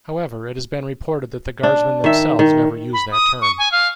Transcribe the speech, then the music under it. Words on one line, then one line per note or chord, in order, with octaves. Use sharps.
However, it has been reported that the guardsmen themselves never use that term.
D4
D#3 E5
D#3
B5
D#6
C#6
G#5
F5